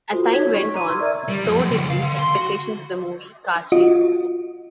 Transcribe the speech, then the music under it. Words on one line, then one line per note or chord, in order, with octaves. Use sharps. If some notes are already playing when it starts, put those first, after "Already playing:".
As time went on, so did the expectations of the movie car chase.
F4 F#4 A4 C5
D#4 C#5 G#6 B6
C#6
A#5 D6 D#7
A#5 C6 C#6 E6 F6 G#6
A#4 D5 E5 A#5 G#6
G3
F2
F#2
C#2
F5
D3
C6
F#4
F4 F#4 D#5